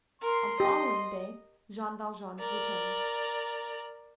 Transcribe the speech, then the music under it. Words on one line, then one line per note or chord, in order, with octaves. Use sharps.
On the following day Jean Valjean returned.
A#4 C6
G4 D#5
A#4 D5